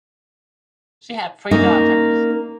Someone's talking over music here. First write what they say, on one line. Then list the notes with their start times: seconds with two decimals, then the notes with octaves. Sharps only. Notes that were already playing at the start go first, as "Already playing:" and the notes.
She had three daughters.
1.51 A#3 C#4 D#4